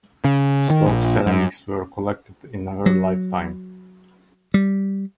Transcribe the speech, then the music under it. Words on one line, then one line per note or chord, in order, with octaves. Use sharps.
Stokes ceramics were collected in her lifetime.
C#3
D#3
A#1
F#2
F#3
G3